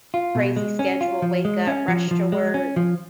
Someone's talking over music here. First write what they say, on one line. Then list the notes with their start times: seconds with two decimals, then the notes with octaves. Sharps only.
crazy schedule, wake up, rush to work,
0.14 F4
0.35 B2
0.56 G#3
0.79 C#4
1.01 F4
1.22 F3
1.45 G#3
1.67 C#4
1.88 F3
2.11 F3
2.32 G#3
2.54 C#4
2.76 F3